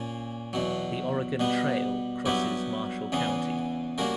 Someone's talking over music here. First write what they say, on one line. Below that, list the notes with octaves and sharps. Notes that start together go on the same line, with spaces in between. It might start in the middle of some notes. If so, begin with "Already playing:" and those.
The Oregon Trail crosses Marshall County.
Already playing: A#2 A#3 C#4
E2 B2 F#3
B2 G3 B3
G2 F#3 B3 E4 G4
E2 C#3 E3 B3
C#3 G3 A#3 F#4 A#4